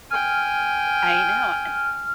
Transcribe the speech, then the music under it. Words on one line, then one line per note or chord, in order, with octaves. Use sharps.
I know an
G5 G#5 F6